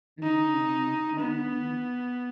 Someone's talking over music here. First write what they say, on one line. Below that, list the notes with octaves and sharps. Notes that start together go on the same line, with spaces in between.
Mhm, mhm.
D#4
B3